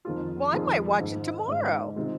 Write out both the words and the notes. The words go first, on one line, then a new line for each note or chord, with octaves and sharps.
Well, I might watch it tomorrow.
F2 D#3 A#3 F4 G#4
F2 D#3 A#3 F4 G#4
G#2 D#3 G#3
G#2 D#3 G#3
C3 D#3 G#3 C4 F4